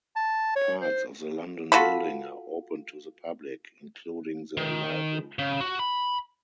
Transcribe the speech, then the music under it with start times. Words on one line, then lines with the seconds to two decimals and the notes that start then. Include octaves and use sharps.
Parts of the London building are open to the public, including the Library.
0.16 A5
0.56 C#5
0.81 C5
1.72 F4 F#4 A4 B5
4.57 D#3
5.39 C#3
5.61 F#4
5.79 B5